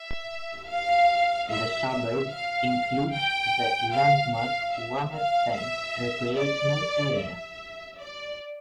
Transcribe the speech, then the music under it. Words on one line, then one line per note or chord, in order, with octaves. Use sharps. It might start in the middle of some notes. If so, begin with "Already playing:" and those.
The suburb includes the landmark Wemmer Pan recreational area.
Already playing: E5
F5
E5
E5
F5
G5
F5
F5
E5
F5
E5
D5
E5
D5